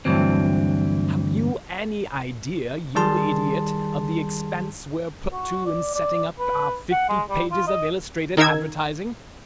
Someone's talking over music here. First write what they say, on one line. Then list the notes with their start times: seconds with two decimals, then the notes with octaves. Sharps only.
Have you any idea, you idiot, of the expense we're put to in setting up our fifty pages of illustrated advertising?
0.05 D2 G2 E3 F#3 C4
2.95 D#3 G3 G#4 A5 C6
5.32 F#4
5.66 D5
5.95 D5
6.39 B4
6.92 F#5
7.09 G#3
7.30 G3
7.51 F4
7.67 D#5
8.37 D#3 D#4 A#4 E6 G#6